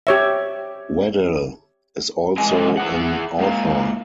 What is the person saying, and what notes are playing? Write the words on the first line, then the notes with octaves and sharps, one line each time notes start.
Waddell is also an author.
G4 C#5 E5
C3 E3 G#3 D#5 G#5
E4 G#4 F#5
G#2 A#3